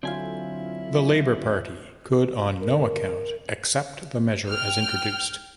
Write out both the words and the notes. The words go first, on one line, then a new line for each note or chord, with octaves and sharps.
The Labor Party could on no account accept the measure as introduced.
D3 F#3 C4 E4 F4 G#5
A#4
G5 F6